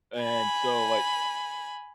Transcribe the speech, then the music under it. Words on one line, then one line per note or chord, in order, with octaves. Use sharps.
And so, like,
G#5 B5